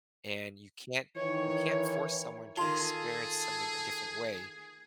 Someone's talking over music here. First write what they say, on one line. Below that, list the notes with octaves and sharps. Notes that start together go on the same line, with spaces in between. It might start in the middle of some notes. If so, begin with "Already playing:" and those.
And you can't you can't force someone to experience something a different way
D#3 E3 C#5
D#3 F4 G#4 A4 A5 C6